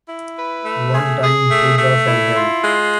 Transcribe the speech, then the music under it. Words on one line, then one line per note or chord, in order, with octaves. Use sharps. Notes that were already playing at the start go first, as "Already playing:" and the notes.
One time Pujas are held.
E4
B4
A3
G#4
G#4
A3
A3
E4
F4
G#3